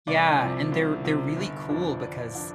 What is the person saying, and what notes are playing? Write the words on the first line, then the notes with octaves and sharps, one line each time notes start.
Yeah, and they're they're really cool because
C2 D5
C3 F3
C2
C3 F3
G1
F2 F3 D4
G1 D5
F3 D4